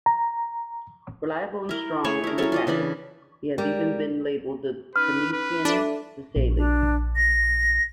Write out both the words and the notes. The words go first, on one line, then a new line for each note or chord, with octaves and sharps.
Reliable and strong in the tackle, he has even been labelled "the Tunisian Desailly".
A#5
E4 A#4
A3 G#4 C#5
E4 A#4
F#3 C#4 A4 C#5
F4 D5 D#5
C#3 E3 D4 B5
G3 G#3 A#4
C#4 D#4 B4 F6
B4
D4 A4 E5
A#1
D4
A#6